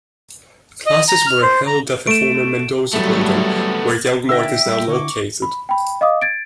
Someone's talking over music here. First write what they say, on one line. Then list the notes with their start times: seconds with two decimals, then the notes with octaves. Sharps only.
Classes were held at the former Mendoza Building, where Young Mart is now located.
0.86 D#5
1.09 A#5
1.27 F6
1.42 C5
1.67 A#5
2.07 A3 D7 E7
2.94 F#3 G3 A3 B3
4.29 D3 D#4 E5 G5 E6 A#6
4.66 G3
4.87 D3 E4 C#6 D6
5.42 B5
5.69 G5 B5
6.01 D#5 F5 D6 D#6
6.22 G#6 A6 D7